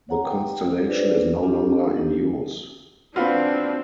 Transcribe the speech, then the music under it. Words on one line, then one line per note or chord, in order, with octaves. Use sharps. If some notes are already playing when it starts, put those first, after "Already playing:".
The constellation is no longer in use.
C#5 F#5 A#5
G5
D4 F4 A4 B4 C5 D5
C#4 D4 F4 G4 A4
D4 D#4 G4
C4 D4 F4 F#4 B4